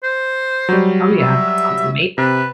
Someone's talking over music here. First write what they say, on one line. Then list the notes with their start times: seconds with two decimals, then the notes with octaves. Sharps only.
Oh yeah, that sounds amazing
0.03 C5
0.69 F#3 G3
1.19 E5
2.18 C3 B4